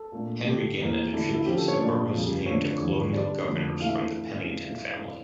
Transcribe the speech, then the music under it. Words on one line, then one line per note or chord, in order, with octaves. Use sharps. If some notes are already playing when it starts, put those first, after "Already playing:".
Henry Gannett attributes the borough's name to colonial governors from the Pennington family.
Already playing: A4
A#2 A3 D4
D3 A3 D4 G4
E2 E3 A#3
D3 A3 D4 E4
E4
D3 F3 C#4 G4
A4
C#5
A#2 A3 D4 D5
F2 C#3 G3
D3 F3 A3 D4 C#5
E2 D3 F3
D3 G3 D4 D5
F2 D3 A3 D4
E3 A3 D4 F5
E5